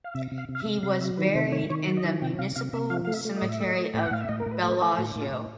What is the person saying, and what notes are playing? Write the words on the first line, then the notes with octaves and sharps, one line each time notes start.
He was buried in the Municipal Cemetery of Bellagio.
F5
C3 E5
C3
F5
C3
F5
E5
C3
C3 F5
F#3 E5
D#3 B4
C3 C5
D#3 C#5
D#3 C#5
F#3 D5
D#5
D#3 E5
C3 G5
C3 F5
C3 F5
C3 E5
F3 F5
A3 F5
E5
A3
D#5
A2
E5
A3 D#5
A3
A2 G5
F#5
A2 F5
E5
A2 D#5
A#4
A2
B4
A3
B4
A#4
A3
A2 F#4
A2 F4
A2